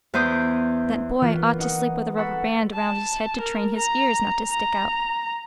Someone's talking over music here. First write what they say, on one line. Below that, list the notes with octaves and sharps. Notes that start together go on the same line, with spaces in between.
That boy ought to sleep with a rubber band around his head to train his ears not to stick out.
E2 B3 C5 D5 D#6 G6
E3 F#3 A#3 B3 F4 B4
D#4 F#5 D#6
A4 B4 F#5 B5 C#6 E6
A5
A#4
A#5
A#5